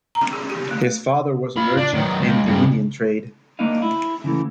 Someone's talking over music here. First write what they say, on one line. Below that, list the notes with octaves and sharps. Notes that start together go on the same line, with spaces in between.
His father was a merchant in the Indian trade.
A#5
G#4
G4
A3
F4 B5
D4
D#3 F#3
C#2
G2 C#3
A3 A#3 D4 D#4 D#5 F5
E4
C#3 E3 A3